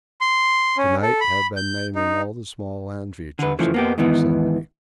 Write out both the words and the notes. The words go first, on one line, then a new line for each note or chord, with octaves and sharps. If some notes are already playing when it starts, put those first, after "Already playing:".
To-night have been naming all the small land features of our vicinity.
C6
C#4
A4
B5
G6
D#4
D3 B4
C#3 E3 F3 A3
A#3 B3 G4
G#2 D#3 E3 B3